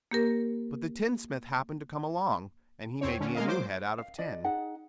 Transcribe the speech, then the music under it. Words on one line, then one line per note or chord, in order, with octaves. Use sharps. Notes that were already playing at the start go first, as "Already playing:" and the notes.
But the tinsmith happened to come along, and he made me a new head out of tin.
A#3 G4 A#4
E2 C4 C#5
D3 C#4
G#3 A#3 A#4 D#5 F5
F#3 C5 D6
F5
F4 D5 D#5
D#4 G#4 F#5